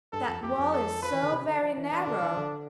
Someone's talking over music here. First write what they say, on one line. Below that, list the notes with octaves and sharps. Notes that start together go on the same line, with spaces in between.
'That wall is so VERY narrow!'
G2 A4
F2
F2 G4
F2
A4
F3 B4
E3
D3
C3
D3
F3
E3
E3 D4
D3
E3
D3